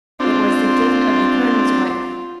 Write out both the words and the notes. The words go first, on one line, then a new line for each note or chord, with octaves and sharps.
It was the gift of the colonel's wife.
C4 D4 F4